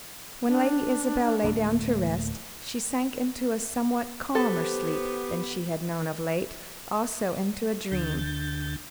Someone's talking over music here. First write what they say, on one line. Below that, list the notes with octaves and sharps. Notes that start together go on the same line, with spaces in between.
When Lady Isabel lay down to rest, she sank into a somewhat calmer sleep than she had known of late; also into a dream.
D4
D1 A3 A#3
B3 G4 A4 C5
D2 D3 G6 A6